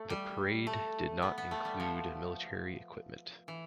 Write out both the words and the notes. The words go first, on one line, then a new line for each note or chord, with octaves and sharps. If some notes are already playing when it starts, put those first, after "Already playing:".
The parade did not include military equipment.
Already playing: A3
G3
A3
B3
B3
A3
G3
F3
E3